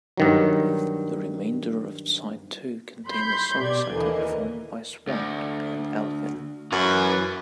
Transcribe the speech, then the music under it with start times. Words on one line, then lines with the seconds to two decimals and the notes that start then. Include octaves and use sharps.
The remainder of side two contained the song cycle performed by Swann and Elvin.
0.17 G2 D#3 F#3
3.07 B5 C6 G6
3.58 B2 G4 D5 G#6
3.91 D#2 D3 E3 A#3 D#5
5.08 D2
6.72 F#2 E3 E4